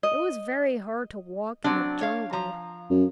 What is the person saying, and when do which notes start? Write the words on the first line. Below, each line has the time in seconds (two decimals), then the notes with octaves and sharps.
It was very hard to walk in the jungle.
0.03 D#5
1.64 F#3 C4 D4
2.01 C#5 F5
2.33 F3 A#5
2.91 F#2